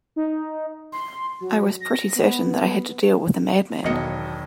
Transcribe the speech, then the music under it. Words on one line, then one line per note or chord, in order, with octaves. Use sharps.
I was pretty certain that I had to deal with a madman.
D#4
C6
F#3
A#6
B3
E1 B1 D#3 F#3 D#5 C#7